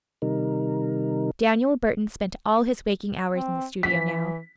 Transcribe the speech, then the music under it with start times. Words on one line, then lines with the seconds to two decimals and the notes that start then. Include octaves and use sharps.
Daniel Burton spent all his waking hours in the studio now.
0.22 C3 D#3 G3 D#4 A#4
3.31 C4
3.83 E3 B6